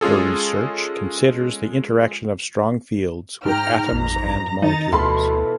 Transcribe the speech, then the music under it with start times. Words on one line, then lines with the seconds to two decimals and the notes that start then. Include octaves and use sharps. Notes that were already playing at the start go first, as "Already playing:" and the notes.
Her research considers the interaction of strong fields with atoms and molecules.
0.01 G#3 C#4 F4 G#4 A4
3.45 G#2 G5 A#5 F6
3.93 A1 F2 A#5
4.62 D#3 D#4 A#5 A6
4.93 D2 B2 E3 F4 A4 B4 B5 C6